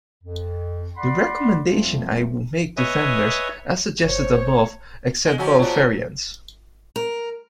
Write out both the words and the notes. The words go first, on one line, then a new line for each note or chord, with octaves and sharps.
The recommendation I would make to vendors.. as suggested above.. accept both variants.
F2
D5 F#5 B5 C6
F2 F3 G3 A3 C4 F4
B4 C#5 D#5 E5 G#5 D#6
G1 C5 C#5
G#3
F3 F#3 C#4
C#3 D4 F4 C5 C#5
A#4